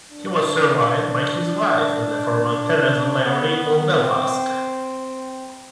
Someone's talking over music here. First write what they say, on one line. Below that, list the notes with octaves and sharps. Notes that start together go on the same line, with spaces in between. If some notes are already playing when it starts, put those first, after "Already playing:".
He was survived by his wife, the former Teresa Lavery of Belfast.
D4
B3
B3
C4